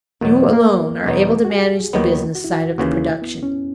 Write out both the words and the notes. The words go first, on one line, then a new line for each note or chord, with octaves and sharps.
You alone are able to manage the business side of the production.
E2 B2 F#3 A#3
B3
A#3
A#3
E2 B2 F#3 B3 D#4
F#4
G#4
D#2 D#3 F#3 B3
F#4
E4
F#4
D#2 C#3 E3 F#4
E4
B3
C#4